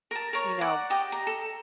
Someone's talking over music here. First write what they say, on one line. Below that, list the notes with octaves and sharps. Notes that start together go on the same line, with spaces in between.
you know,
A#4 A5
A#4 C#5
D5 F#5
G4 D#5 G5
A#5
A4